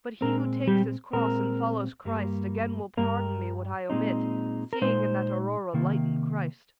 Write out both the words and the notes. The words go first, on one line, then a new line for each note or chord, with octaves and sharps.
But he who takes his cross and follows Christ Again will pardon me what I omit, Seeing in that aurora lighten Christ.
A#2 G#3 C4 A#4
G3 G4
A#2 G#3 C4 A#4
G2 G3 A#3
G2 G3 A#3 A#4
A#2 G#3 C4 D#4
A#4
A#2 G#3 C4 D#4 C5
C3 D#3 A#3